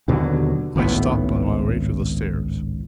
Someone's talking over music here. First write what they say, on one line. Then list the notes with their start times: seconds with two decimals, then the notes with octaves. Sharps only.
I stopped on my way to the stairs.
0.08 D#2 B2 D3 F#3
0.76 G#1 C#2 A2 B3